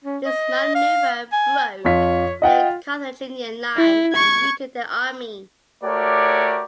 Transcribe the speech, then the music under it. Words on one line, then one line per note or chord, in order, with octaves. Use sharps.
This manoeuvre broke the Carthaginian line and routed their army.
C#4
D#5
F5
G#5
F2 F4 C#5 B6
F4 D#5 F#5 G5
E4
C#6 G#6
A3 F#4 G4 A#4 C#5 D5